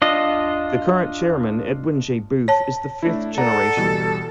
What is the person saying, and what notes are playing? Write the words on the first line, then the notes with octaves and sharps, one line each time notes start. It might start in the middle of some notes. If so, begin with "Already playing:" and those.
The current chairman, Edwin J. Booth, is the fifth generation.
D4 F4 D#5
C#5 A5
A3 D4 E4
A4 D5 F#5 A#5
B2 E3 G3